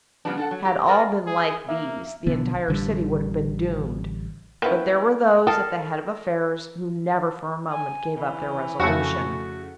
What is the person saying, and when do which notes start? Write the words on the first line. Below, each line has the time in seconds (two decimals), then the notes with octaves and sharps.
Had all been like these the entire city would have been doomed, but there were those at the head of affairs who never for a moment gave up their resolution.
0.25 C#3 F3 G3 B3 D4
0.37 D4 A4 F#5
0.51 F#3
0.65 G4
0.87 F#4 G#4 A#4 B4 D5 D#5
1.27 G#4
1.69 A#3 E5
2.26 B1 D3 B3
2.68 A1 D3 G3
4.62 A#3 B3 C#4 E4 B4 G5
5.47 A4 A#4 F5 G5 A5 D#6
7.72 G#5
8.17 E3
8.80 F2 C#3 A3 F#4